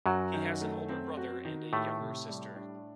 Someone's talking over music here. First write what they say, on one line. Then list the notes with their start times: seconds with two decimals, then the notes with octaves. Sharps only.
He has an older brother and a younger sister.
0.06 F#2 F#3 F#4
0.34 D#3
0.61 A3
0.89 C4
1.17 F#4
1.45 D#3
1.73 A2 A3 G4
2.00 C3
2.29 G3
2.56 D4